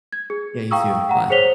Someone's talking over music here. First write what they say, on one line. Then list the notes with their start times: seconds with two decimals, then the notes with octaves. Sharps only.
Yeah, you too, bye.
0.12 G#6
0.30 G#4
0.71 F5 G5 A#5 C#6 D#6 E6
1.09 F#5 A#5
1.30 G#4 C5 C#5 B6 F7 G7